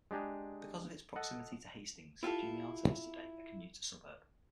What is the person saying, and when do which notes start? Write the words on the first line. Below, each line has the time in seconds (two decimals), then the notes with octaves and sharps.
Because of its proximity to Hastings, Juniata is today a commuter suburb.
0.11 G#3 D4 G4 G#4 A#5
1.16 A4 D#5 F#5
2.23 E4 F4 G4 A4